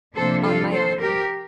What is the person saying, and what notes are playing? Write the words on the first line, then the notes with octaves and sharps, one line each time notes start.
"On my honor."
C3 F3 A#3 D4 A4 C5
F4 A4
A4 C5
G4 A#4